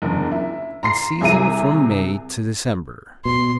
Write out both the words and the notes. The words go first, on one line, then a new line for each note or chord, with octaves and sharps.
In season from May to December.
F#1 E2 D3
E4
A#5 C6 C7
C2 C3 G#4 E5 A#5 D#7
B2 C6